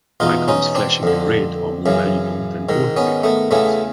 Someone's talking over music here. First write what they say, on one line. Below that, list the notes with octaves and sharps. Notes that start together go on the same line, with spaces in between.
Icons flashing in red are more valuable than ordinary icons.
E2 B2 D#4 F4
C#4 D#4
C4 D4
F2 D3
F#2 C#3 E3
G#2 D#3
B3 C#4
A3 B3
E2 C#3 E3 A3 B3